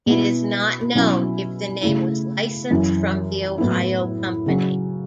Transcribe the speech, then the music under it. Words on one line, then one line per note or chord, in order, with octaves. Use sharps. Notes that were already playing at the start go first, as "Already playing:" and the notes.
It is not known if the name was licensed from the Ohio company.
B2 B3 E4
B2 F#3 C#4 E4
C#3 A3 E4
F#2 E3 C#4 E4
A2 F#3 B3 E4
C#3 F#3 C#4